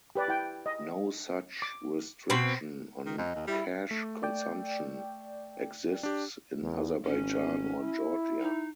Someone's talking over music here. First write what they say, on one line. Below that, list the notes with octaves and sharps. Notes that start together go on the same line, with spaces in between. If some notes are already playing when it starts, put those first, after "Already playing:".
No such restriction on khash consumption exists in Azerbaijan or Georgia.
G4 B4 D5
E4 G5
D#5
D6
B2 C4 C5 B5 C6
D#3
F2 D#5
D#2
G3 E4
A3
D5 G5
D4 G4
E2
G#1 C#4
E4
D#4